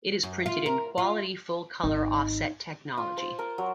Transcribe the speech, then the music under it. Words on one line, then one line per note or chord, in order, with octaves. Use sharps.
It is printed in quality full colour offset technology.
F#2
F4
A#4
F4
G#1 D#4
F4
C5
A#4
F#3